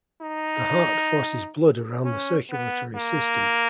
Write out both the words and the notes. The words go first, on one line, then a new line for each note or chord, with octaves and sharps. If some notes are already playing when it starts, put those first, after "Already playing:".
The heart forces blood around the circulatory system.
D#4
C#4
B3
A#3